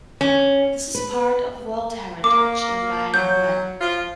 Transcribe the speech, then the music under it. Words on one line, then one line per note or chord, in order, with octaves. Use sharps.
This is part of World Heritage in Gaelanguel.
C#4
B4
A#3 D6
F#3 G6
F3 F4